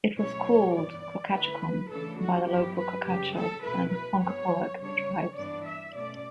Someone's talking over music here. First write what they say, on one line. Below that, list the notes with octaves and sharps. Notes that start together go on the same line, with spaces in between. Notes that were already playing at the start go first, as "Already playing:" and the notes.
It was called Cochaticquom by the local Cochato and Ponkapoag tribes.
B2 F#3 A3 C#4 E4 C#5
G2 E3 B3 D5
D3 A3 E4 B4
C#3 E3 A3 D4 A4
F#4
G2 F#3 B3 E4 G4
B4
F#2 C#3 G3 G4
A4
B2 A3 E4 B4
B4
G2 F#3 B3 C#5
C#3 G3 B3 D4 C#5
G2 E3 B3 D4 D5
E5
B2 A3 C#4 D5